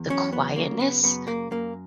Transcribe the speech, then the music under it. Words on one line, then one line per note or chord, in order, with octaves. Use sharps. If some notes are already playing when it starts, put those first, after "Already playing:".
the quietness
Already playing: E2
F#3 C#4
B3
C#3 A#3
B3
F#2 B3
A#3
F#2 A#3